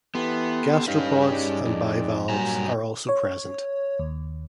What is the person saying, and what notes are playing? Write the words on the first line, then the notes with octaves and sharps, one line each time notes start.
Gastropods and bivalves are also present.
E3 B3 G4 A4 C6
G2 C#4 D#4 G4 B4 F5
D#4 G#4 D5
F2
G2 A#2 F#3 G3 G#5 A#5
C#5
D#2